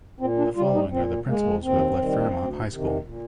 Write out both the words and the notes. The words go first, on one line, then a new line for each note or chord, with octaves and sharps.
The following are the principals who have led Fairmont High School.
A#2 C4
D4
G3 F4
D#4
A#2 C4
G#3 A#3
A#3
D#2 C4
D#3 G3
D2
C3 D#3
A#2